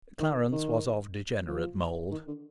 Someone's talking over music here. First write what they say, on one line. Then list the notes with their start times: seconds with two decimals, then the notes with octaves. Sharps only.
Clarence was of degenerate mould.
0.20 D#3
0.52 D#3
1.48 F3
2.11 D#3
2.27 D3